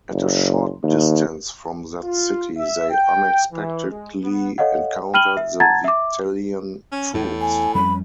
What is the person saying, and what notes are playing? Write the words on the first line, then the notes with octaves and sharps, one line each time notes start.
At a short distance from that city they unexpectedly encountered the Vitellian troops.
F#1
D#2
F4
E5
G5
E3
G#3
B3
A4 C#5 D#5 F5 F#5
G5 B5 F6 D#7 F#7 G7
E5
F#5 A5 A#5 G#6 A6
E5 D6
C#4
E2 A2
G#5
F2 G3 C#4 B5